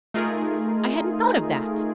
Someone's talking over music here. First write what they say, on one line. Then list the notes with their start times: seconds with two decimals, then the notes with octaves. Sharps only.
I hadn't thought of that.
0.14 A3 D#4 F4 G#4 A#4